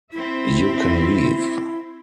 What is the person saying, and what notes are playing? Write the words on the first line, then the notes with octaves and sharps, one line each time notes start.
You can leave.
C4 E4 E5